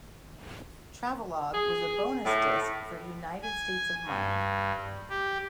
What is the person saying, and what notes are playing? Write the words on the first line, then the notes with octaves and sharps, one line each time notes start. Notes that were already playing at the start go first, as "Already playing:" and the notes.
"Travelogue" was a bonus disc for "United States of Mind".
G#4
A2
G#5
G2
G4